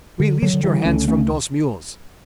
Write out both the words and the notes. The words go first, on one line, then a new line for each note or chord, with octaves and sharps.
Release your hands from dose mules.
D3
D3 F#3
D3
E3 G3
C#2 A3 C#4
A3 C#4